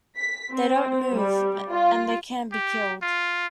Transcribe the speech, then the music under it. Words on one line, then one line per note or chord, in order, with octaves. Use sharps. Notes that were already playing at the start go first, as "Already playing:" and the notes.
They don't move, and they can be killed.
B6
C4
G3
F4
G4
F4